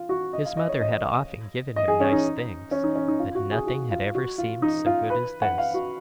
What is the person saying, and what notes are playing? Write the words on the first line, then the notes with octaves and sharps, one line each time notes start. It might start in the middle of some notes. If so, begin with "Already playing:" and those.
His mother had often given him nice things, but nothing had ever seemed so good as this.
Already playing: F4
F#4
D#5
F5
D#5
C#5
D#5
D#5
G#4
C#4
D#4
C#4
D#4
C#4
D#4
F4
F#4
G#4
F#4
F4
F#4
F4
D#4
F4
B4
F#5
F5
F#4